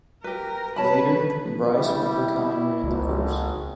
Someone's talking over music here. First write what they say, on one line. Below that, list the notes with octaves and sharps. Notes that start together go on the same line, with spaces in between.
Later, Bryce Rankine ran the course.
G4 A#4 B4
B4 C#5 A5 B5
G3 E4
G#1 C#2